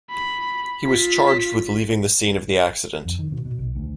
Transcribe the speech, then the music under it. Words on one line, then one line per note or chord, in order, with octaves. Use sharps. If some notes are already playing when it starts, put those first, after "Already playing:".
He was charged with leaving the scene of the accident.
B5
F4 B6
F2
D#3
B2
B2
B1
D2